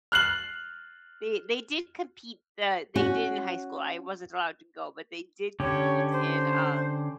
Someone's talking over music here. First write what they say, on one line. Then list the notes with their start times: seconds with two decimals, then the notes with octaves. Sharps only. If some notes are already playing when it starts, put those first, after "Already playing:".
they they did compete, uh, they did in high school. I wasn't allowed to go, but they did compete in, um,
0.12 F6 F#6 C7 F#7
2.96 C#4 F#4
5.60 D3 C#4 G4 C#5
6.12 C5